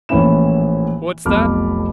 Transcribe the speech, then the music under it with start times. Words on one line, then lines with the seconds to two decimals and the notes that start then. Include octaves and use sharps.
"What's that?"
0.09 A#1 A2 E3 C#4 E4 E7
1.25 F1 B1 A5 B5 D6 F6